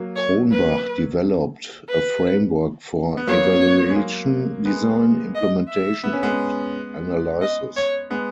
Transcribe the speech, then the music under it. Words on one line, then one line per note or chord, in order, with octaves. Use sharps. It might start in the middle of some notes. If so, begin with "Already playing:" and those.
Cronbach developed a framework for evaluation design, implementation and analysis.
Already playing: F#3 A#3
C#5
B4
B4
B3
F#3 A#3 C#5
G#3
F#3 A#3
G#3 B3
D#5
E5
B3
C#4
G#3 B3
D#5
C#5
G#3 B3